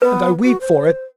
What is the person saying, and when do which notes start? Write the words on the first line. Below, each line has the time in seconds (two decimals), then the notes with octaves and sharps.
And I weep for it!
0.02 B3 B4
0.44 F#4
0.61 C5